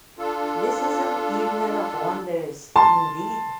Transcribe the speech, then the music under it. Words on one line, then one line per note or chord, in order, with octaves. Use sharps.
This is an evening of wonders, indeed!
D4 F4 A4
A5 C6